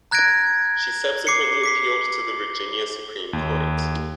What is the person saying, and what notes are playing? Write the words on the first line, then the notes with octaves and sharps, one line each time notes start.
She subsequently appealed to the Virginia Supreme Court.
A#5 F#6 G#6 A#6 D7
D6 C7 C#7
D6 B6 C7
D#2